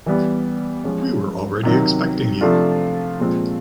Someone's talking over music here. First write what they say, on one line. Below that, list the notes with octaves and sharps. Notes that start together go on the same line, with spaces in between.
We were already expecting you.
E3 G3 B3
F3 G#3 C#4
C3 D#3 F#3
C3 F3 A3 D4 F4
A#2 F3 G#3 C4 F4